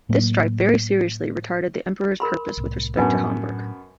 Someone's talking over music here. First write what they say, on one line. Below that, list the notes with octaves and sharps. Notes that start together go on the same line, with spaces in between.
This strife very seriously retarded the emperor's purpose with respect to Hamburg.
A2 F#3 A#3
A#4 B5 C6
C2 A2
F#2 A2 F#3 B3 D4 B4 G#5 A5